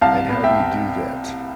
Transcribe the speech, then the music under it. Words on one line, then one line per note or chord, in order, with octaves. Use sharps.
and how do you do that?
C2 F5 A5
B3
E5 G5
C3